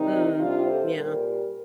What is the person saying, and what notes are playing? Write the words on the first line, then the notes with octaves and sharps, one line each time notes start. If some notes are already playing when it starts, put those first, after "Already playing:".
Mm. Yeah.
Already playing: C3 D#3 G3 C4 D#4
C3 G3 D4 F4
A4 C5
A#2 G3 G4 A#4